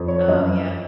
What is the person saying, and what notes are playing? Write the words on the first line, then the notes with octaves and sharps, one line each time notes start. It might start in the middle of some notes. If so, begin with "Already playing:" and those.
Oh yeah.
Already playing: F2
C#5
F#2 D#5